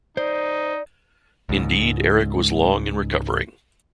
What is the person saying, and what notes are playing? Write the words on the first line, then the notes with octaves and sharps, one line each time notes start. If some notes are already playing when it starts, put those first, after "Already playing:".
Indeed Erik was long in recovering.
D#4 C5 D5
C#2 G#2